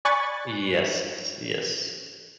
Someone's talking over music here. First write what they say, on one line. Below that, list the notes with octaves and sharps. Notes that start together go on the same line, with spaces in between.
Yes, yes.
D5 G#5 B5 C#6 F#6 A6